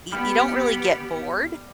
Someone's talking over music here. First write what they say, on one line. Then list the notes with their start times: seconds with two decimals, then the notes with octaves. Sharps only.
Y You don't really get bored
0.12 G3 B3 G4